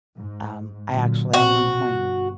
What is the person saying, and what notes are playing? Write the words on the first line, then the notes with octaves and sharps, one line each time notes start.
um, I actually at one point,
G#2
A#2 D3 F#3
A#1 B2 C4 F#4
G1